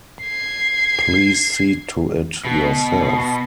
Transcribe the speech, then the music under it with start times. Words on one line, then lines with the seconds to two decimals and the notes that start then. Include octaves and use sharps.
Please see to it yourself.
0.23 G#6 C7
2.45 B2